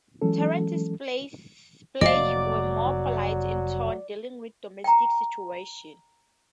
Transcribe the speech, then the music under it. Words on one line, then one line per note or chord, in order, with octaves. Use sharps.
Terence's plays were more polite in tone, dealing with domestic situations.
E3 F#3 G#3 C#4 A4
F1 F#3 A#3 D5 D#5 F5
G5 A#5